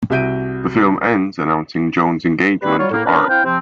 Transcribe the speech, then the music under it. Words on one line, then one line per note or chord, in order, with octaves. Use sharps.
The film ends announcing Joan's engagement to Art.
C2 F#4 E5 G6 D7 D#7
G3 C4 E4 F#4 B4
F#3 G3 F4 C#5
A2 A#3
C#4 D4 F4 A#4 B4
C4 E4 F5 G5
C3 F3 C4